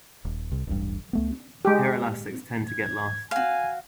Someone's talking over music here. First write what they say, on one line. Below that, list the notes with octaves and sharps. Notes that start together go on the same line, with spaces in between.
Hair elastics tend to get lost.
D#1
C2
D1 A1 G2
C#2 A3 B3
G#3 G4
G#6
F#4 F5 G#5